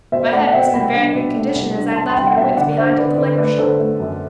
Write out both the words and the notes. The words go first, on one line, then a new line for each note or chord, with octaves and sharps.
My head wasn't in very good condition as I'd left my wits behind at the liquor shop.
B2 C5 E5
E5
A3 D5 F#5
F#5
B2 E5 G5
C2 G5 B5
D4
B2
A3
C2
D4
D4 A5 C6
C6
C2 G5 B5
F#5
B2 E5 G5
D3 D5 F#5
D4 C5 E5
D3 B4 D5
D3 B4 D5
A3 B4 D5
D3 A4 C5
A3
F#2